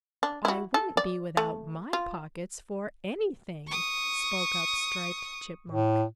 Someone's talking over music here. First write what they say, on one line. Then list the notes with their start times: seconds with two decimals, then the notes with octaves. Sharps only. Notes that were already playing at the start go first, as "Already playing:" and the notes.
"I wouldn't be without my pockets for any thing," spoke up Striped Chipmunk.
0.23 D4
0.45 E4 F#4
0.74 A4
0.97 D5
1.37 A3
1.93 F4
3.67 C#6 D#6
5.70 A2